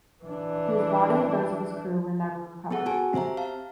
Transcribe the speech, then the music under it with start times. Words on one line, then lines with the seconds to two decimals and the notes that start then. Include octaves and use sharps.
His body and those of his crew were never recovered.
0.25 E3 D4
2.71 B3 G#4 A4 F#5
2.86 B3 F#4 G#5 A5 D7
3.13 C4 G4 C5 E5 A#5
3.37 F5 A5